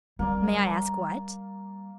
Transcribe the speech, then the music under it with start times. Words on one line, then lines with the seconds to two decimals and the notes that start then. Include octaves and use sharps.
"May I ask what?"
0.19 G3 A#3 D4 D5